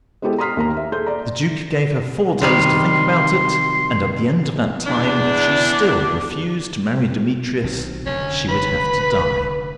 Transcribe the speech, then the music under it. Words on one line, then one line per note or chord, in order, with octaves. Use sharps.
The Duke gave her four days to think about it, and, at the end of that time, if she still refused to marry Demetrius, she would have to die.
G#3 B3 E4 G4 A4
A#5 C6 D#6 F6 B6 C7
D#2 A#3 A#5
E5
G#4 A4 C6 G6
D5 A#5
C3 D#3 G3 C6
E2 D4
B1 D#3 C4
F1 D3 C#4
B4 B5